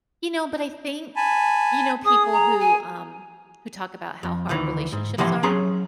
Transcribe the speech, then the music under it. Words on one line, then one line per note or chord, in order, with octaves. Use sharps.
You know, but I think, y you know, people who, um, who talk about how hard relationships are,
G#5 A5 B5
G#4 D#6
A#5
G#5
F2
D2 D#3 E3
G#2
C3 E3 F3 A#3 F#5 C6
F#3 C#4 G#4 A#5 C6